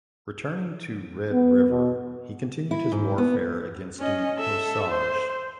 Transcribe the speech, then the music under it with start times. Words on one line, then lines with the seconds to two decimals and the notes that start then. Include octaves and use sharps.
Returning to Red River he continued his warfare against the Osage.
1.32 B3
1.70 B2
2.71 E4
2.92 G#2
3.18 B3
4.00 C#4 D#5
4.37 A4 E5
4.90 C5